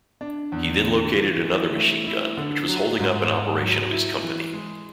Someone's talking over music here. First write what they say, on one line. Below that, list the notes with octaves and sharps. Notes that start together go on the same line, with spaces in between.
He then located another machine-gun which was holding up an operation of his company.
D4
E2
D3
E3
E3
A3
E4
D3
F#3
G#2
G#2
F#3
E4
E3
G#3